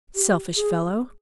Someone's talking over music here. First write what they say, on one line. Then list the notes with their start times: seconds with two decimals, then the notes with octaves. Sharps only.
"Selfish fellow!"
0.15 G4
0.57 G#4